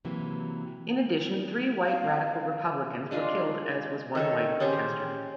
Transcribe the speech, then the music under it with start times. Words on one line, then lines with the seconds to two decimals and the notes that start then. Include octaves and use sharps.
In addition, three white Radical Republicans were killed as was one white protester.
0.05 C3 E3 F#3 A#3
1.86 F5
3.11 G#3 D4 F4 F5
4.15 D#3 A4 C#5
4.60 C#4 G4 G#4 C5